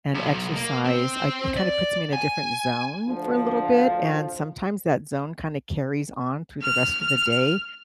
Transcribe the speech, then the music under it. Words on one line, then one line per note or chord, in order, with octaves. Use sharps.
and exercise, I it kinda puts me in a different zone for a little bit, and sometimes that zone kinda carries on through the rest of the day,
B1
A#3
C4
D5
G#5
D2 F3
F6